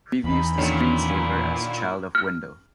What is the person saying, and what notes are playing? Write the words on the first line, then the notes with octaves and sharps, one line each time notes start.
Previews the screensaver as child of window.
E2 D#4 B5
A#2 D3 D#3 C#4 E4
F6